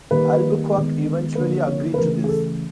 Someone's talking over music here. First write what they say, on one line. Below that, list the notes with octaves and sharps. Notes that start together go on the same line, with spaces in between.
Albuquerque eventually agreed to this.
D#3 G3 A#3 B4
D#3 G#3 B3
D3 F3 A#3 B4
C#5
B4
C#3 E3 A3 A#4
G#4
A4